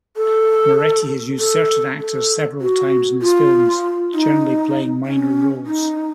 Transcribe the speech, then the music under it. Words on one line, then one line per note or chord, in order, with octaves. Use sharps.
Moretti has used certain actors several times in his films, generally playing minor roles.
A4
A4
A4
F#4
F4
D#4
C#4
D#4